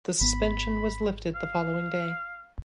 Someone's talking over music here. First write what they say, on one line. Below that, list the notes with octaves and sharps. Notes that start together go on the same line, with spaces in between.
The suspension was lifted the following day.
G#1 B3 B5
F5